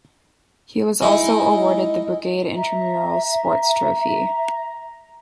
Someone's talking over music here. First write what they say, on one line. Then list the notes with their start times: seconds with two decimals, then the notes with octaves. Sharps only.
He was also awarded the Brigade Intramural Sports Trophy.
1.02 G#3 D#4 E4 G#5
1.57 D#5
2.56 E5 A#5